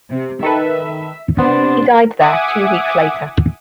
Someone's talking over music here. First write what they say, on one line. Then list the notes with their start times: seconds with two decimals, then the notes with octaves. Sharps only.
He died there two weeks later.
0.11 C3
0.43 D#3 A4 B4 E5
1.39 C3 B3 D4 C5
2.20 E5 F#5 G#5 D6 D#6